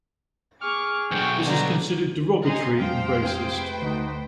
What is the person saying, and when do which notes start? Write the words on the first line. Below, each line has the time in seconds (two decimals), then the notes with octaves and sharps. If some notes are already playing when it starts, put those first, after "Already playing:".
This is considered derogatory and racist.
0.61 G#4 C#6 D6 F6
1.11 B1 E2 D4 G5 C#6
1.46 D3 D4 A#5
2.45 C4 D#4 C5 G#5 C6
2.80 F2 F3 F#3 G#3 C5 F5 G5
3.21 C3 G#4
3.51 A3 B4
3.82 D2 D#4 F#4